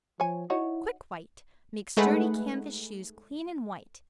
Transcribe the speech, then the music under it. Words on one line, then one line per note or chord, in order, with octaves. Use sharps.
"QUICK WHITE" makes dirty CANVAS shoes clean and white.
F3 C#5 G#5
D#4 E4 F#4 C#5
G#3 A3 D#4 G#4 B4 F#5